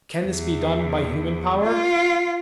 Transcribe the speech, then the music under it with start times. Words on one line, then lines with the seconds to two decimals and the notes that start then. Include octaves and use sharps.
Can this be done by human power?
0.24 E2
1.64 F4